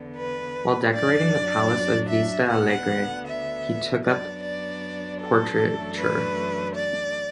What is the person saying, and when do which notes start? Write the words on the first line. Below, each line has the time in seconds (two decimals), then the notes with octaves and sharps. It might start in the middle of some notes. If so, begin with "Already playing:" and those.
While decorating the palace of Vista Alegre he took up portraiture.
Already playing: E2 D3 B3
0.16 B4
0.93 F#2 F#3 D4 D5
2.09 E5
2.48 D2 D3 B3 F#5
3.26 E5
4.04 F#2 F#3 B3 D4 D5
4.43 D5
5.20 A4
5.59 F#2 E3 A3 D4
5.97 B4
6.75 D5